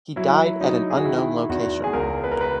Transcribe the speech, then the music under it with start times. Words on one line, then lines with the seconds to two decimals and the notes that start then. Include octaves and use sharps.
He died at an unknown location.
0.16 F#3 E4
0.61 F#3 D#4
0.90 G#4
0.98 F#4
1.05 D#3 E4
1.49 E2 F#4
1.84 G#4
1.93 C#2 A#4
2.24 B4
2.32 A#4
2.41 B4